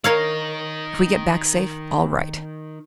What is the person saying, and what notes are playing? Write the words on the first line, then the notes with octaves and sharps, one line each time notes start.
If we get back safe--all right.
D#3 D#4 A#4 C#5 F5